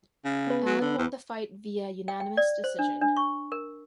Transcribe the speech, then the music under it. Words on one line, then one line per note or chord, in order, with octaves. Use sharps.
Allen won the fight via unanimous decision.
C#3
B3 B4
F#3
D3
E2
G5
G5
D5
C5
D4
D4
C#6
A#4